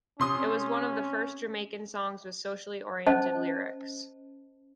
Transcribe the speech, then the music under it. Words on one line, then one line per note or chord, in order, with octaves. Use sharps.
It was one of the first Jamaican songs with socially oriented lyrics.
C3 C#4 C6 D#6
C#4 C5 D#5 A5